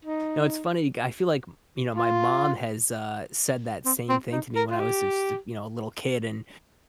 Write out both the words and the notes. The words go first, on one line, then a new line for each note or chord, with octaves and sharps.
No, it's funny, g I feel like m you know, my mom has, uh, said that same thing to me when I was just, you know, a little kid, and,
D#4
F4
C4
C4
D#4
A#4
F4
G4